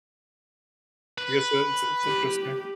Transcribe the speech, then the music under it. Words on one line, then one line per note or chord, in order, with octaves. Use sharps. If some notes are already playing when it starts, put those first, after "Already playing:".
I guess it's it's interesting.
B4
G4